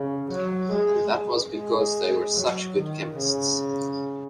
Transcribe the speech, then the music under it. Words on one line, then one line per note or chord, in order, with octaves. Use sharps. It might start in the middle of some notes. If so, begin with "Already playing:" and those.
And that was because they were such good chemists.
Already playing: C#3
F#3
G#3
G#3
F#3
D#3
C#3